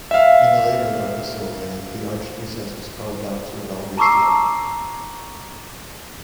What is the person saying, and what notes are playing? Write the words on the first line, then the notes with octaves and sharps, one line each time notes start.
In the later arcosolia, the arched recess was carved out to about waist height.
E5 F5
A5 A#5 C#6 D6 E6 C7